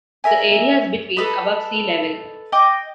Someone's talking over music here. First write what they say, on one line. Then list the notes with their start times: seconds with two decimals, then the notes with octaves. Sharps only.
The area is between above sea level.
0.24 A#4 E5 G#5
1.17 A4 B4 D#5 B5
2.52 D#5 G5 D6